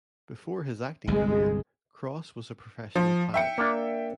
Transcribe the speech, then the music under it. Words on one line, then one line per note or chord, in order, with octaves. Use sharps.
Before his acting career, Cross was a professional pilot.
G1 C2 G2 G#3
F3
E5 G5 C#7
A#3 D4